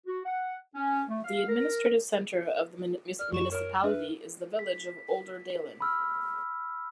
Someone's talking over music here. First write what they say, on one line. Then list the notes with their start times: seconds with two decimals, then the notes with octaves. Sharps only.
The administrative centre of the municipality is the village of Olderdalen.
0.07 F#4
0.25 F#5
0.75 C#4
1.08 A3
1.25 F5
1.49 A#4
3.19 D5 F6
3.33 F#2 C#6 E7
3.51 A#4 C#5 F6
3.84 D4 B4 E5
4.59 B6
5.81 B5 E6 F6